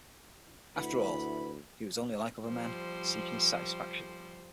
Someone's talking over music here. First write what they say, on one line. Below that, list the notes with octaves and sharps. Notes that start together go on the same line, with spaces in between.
After all, he was only like other men, seeking his satisfaction.
D2 E4 B4 F#5 B5
F3 G3 C5